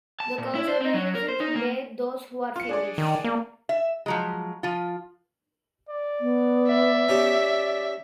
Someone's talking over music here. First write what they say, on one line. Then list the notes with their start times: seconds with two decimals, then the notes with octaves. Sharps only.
The Coushatta use it to bathe those who are feverish.
0.20 A5
0.38 A#2
0.55 E4
0.68 C5
0.81 C4
0.95 F#3
1.15 A#4
1.29 C5
1.40 D#4
1.56 A#3
2.56 F4 C#7
2.69 D4 G#4 D5
2.98 D#3
3.24 A#3
3.69 E5
4.06 F3 F#3 G#3
4.63 F3 F4
5.89 D5
6.20 B3
6.67 E5
7.09 C#4 D#4 G4 D5